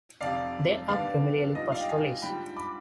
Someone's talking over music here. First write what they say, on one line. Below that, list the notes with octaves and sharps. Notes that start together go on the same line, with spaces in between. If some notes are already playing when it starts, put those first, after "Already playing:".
They are primarily pastoralists.
F1 F2 C3 D5 F5
G2 D#3 G3 B3 D4 D5 F5
G#2 G3 D4 F4 D#5
D5 F5
D#5 G5
F5 G#5
G#2 G3 D4 F4 G5 B5
B5 D6